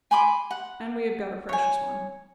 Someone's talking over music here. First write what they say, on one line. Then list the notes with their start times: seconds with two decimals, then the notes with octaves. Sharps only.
And we have got a precious one.'
0.11 G#5 B5 C6 D6
0.51 F#5
1.49 C#5 G#5